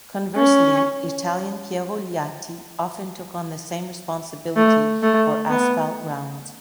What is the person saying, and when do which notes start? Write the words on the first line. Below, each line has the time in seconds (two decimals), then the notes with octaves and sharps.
Conversely, Italian Piero Liatti often took on the same responsibility for asphalt rounds.
0.36 C#4
4.56 A3
5.03 A3
5.50 B3